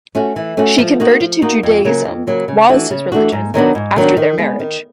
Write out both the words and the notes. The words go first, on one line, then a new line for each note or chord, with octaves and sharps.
She converted to Judaism, Wallis's religion, after their marriage.
A3 C#4 F#4
E3
A3 C#4 F#4
F3
A#3 D#4 F#4
F3
A#3 D#4 F#4
F2
C#3 F#3 A#3
F2
C#3 F#3 A#3
C#3
E3 A3 D4 F#4
C#3
E3 A3 D4 F#4
G#2
D#3 F#3 B3 D4
G#2
D#3 F#3 B3 D4
D#3
G#3 B3
D#3